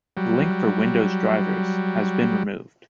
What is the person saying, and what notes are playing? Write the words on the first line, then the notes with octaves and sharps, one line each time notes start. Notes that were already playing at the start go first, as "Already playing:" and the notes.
The link for Windows drivers has been removed.
F#3 G3